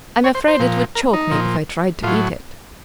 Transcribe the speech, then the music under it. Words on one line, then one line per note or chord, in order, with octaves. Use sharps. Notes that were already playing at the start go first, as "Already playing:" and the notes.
"I'm afraid it would choke me if I tried to eat it."
C#5
C5
C5
A#2 F3
A#4
D#4
A#2 F3
A2 F#3 F4